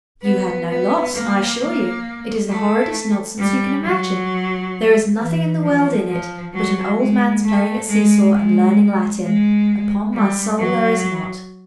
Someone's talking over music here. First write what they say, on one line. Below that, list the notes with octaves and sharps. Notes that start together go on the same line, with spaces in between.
"You had no loss, I assure you; it is the horridest nonsense you can imagine; there is nothing in the world in it but an old man's playing at see-saw and learning Latin; upon my soul there is not."
B3
B3
A#3
A#3
A3
G3
F#3
E3
F3
F3
F#3
G#3
A3
G#3
G#3
G#3
G3
F#3